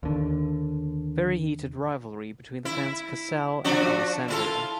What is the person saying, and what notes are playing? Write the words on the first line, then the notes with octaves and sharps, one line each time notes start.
Very heated rivalry between the fans Casale and Alessandria.
D#2 D3
E4
F3 D4 F#4
E4 F4 A4